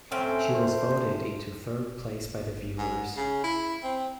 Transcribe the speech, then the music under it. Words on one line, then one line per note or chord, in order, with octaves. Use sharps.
She was voted into third place by the viewers.
A2 C4 C#4 G5
C5
G#2
C#3
E4
C4